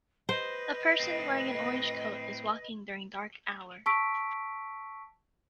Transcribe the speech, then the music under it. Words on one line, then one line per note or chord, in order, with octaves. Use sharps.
A person wearing an orange coat is walking during dark hour.
B4 C5 D#5
A2 C4
A5 C#6 E6 B6 D7